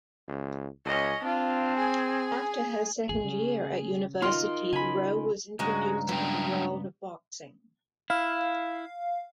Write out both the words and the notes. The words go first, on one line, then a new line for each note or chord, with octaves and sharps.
After her second year at university, Ro was introduced to the world of boxing.
C#2
C#2 C#4 D#5
C4 D4 F4
G#4 G#5
G#1 E2 A#2 G#4
C#3
D#4 F4 A#4 D#5 C6
C#3 G#5 B5
C#2 G2 G#3 F#4 A#5
F#3 B3 D4 G5
E4 F5